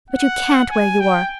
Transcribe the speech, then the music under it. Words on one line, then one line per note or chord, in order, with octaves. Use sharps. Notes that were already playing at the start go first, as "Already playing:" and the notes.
But you can't where you are.
F#5
G#5
G5